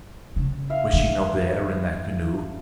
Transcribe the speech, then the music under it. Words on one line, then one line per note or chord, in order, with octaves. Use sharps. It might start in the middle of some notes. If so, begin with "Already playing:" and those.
Was she not there in that canoe?
C#3
E5 F5
D#3